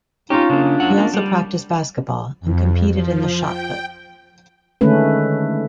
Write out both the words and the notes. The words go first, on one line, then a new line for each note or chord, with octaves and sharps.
He also practiced basketball and competed in the shot put.
C#4 D#4 F4 G4
C#3 A#3 D4
F#2 F#3 F#5
A#3
G3
F2
F3
G5
D3 D#3 G#3 A3 C#4 B4